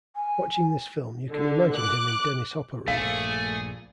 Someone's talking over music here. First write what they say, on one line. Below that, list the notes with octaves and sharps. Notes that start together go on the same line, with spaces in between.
Watching this film, you can imagine him in Dennis Hopper roles.
G#5
D3
D6 F#6
A#1 G2 A#2 A3 G#4 F5